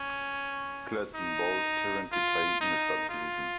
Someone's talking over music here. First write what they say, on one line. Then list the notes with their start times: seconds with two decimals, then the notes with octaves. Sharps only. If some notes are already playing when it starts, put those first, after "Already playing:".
Clubs in Bold currently play in the top division.
Already playing: C#4
1.15 D#4
2.12 F4
2.61 D#4
3.09 F4